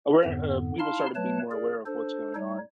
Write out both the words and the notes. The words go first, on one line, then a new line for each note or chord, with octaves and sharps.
aware uh, people started being more aware of what's going on.
F2 G#2 D3 B3
D#4 E4 F5 A5 C6 F6
F#3 A3 B4 C#5 A5
G#4 A#4 D5
D4 A4 C5
G3 D#4 C#5